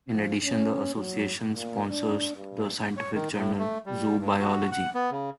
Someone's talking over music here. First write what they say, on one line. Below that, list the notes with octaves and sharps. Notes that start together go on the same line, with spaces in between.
In addition, the association sponsors the scientific journal "Zoo Biology".
F3
C#4
F#3
A#2
D4
G2
C#5
D#3
A2
A3
G3
G2
F#4
F#5
B3
C#3